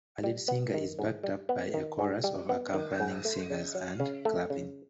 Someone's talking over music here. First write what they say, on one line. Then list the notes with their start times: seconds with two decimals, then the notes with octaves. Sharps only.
A lead singer is backed up by a chorus of accompanying singers and clapping.
0.24 G3
0.48 B3
0.74 D#3
0.99 G#2
1.23 G3
1.49 B3
1.74 D#3
1.99 G#2
2.24 G3
2.49 B3
2.74 D#3
3.00 G#2
3.25 A3
3.50 C#3
3.75 F#3
4.00 C#3
4.25 A3
4.50 C#3